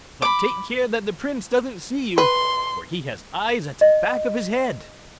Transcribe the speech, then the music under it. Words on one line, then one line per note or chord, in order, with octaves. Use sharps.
But take care that the Prince doesn't see you, for he has eyes at the back of his head.'
B5 D6
B4 C6
D#5